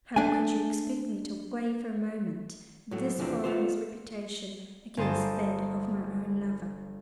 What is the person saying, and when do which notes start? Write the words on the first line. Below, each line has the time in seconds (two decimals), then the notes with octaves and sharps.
How could you expect me to weigh for a moment this foreigner's reputation against that of my own lover?
0.16 A3 D4 G#5
2.91 A2 F#3 A3
3.18 E2 C3 E3 F3 C4 D4
3.44 B3 F4 A4 C5
4.97 G1 C5 D#5 A5